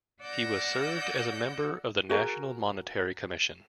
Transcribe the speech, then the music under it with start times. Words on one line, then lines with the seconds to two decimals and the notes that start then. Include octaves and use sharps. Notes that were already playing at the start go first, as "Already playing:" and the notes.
He was served as a member of the National Monetary Commission.
0.21 D5 F#5 E6 F#6 G6 A#6
2.09 F#4 G#4 A#4